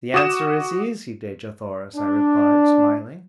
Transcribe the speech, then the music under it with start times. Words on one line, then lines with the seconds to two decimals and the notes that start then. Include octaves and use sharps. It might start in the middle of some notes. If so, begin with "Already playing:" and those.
"The answer is easy, Dejah Thoris," I replied smiling.
0.14 F#4 D6 D#6 E7
1.96 D4